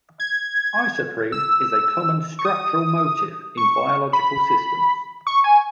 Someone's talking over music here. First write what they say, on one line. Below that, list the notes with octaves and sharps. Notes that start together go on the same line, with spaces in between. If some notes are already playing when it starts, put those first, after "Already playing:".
Isoprene is a common structural motif in biological systems.
G#6
E6
C#6
D#6
C#6
B5
C#6
G#5